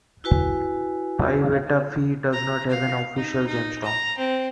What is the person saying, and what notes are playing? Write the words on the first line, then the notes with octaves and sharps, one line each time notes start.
Pi Beta Phi does not have an official gemstone.
E4 F#4 B4 G#5
A#5
F5
D#4
D#4
A#5
C4